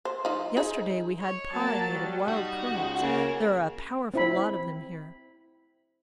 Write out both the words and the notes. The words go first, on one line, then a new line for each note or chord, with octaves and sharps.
Yesterday we had pie made of wild currants; there are a powerful lot of them here.
C5
F3 D#4
D#4 G#4 C5
C#5
F#3 A#3 A5
F#3 G3
D#4 F#4
C#2
C#3 A#3 A#4
C4 E4 B5